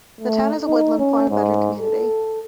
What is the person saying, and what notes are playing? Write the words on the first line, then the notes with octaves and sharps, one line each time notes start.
The town is a woodland, farm and bedroom community.
A3
D#4
C#4
G#2
A4